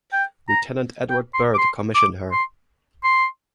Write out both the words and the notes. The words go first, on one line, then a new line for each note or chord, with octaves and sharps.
Lieutenant Edward Burt commissioned her.
G5
A#5
G5
C6
D6
C6
D6
C6
C6